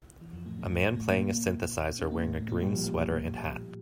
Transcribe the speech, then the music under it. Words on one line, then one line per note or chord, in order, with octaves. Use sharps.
A man playing a synthesizer wearing a green sweater and hat.
E3
F2 F3
A2 A3
A2 A3
A2 A3
A2 A3
A2 A3
A#2 A#3
C#4
A#3
A2 A3
A2 A3
A#2 A#3
G3 G4
F3 F4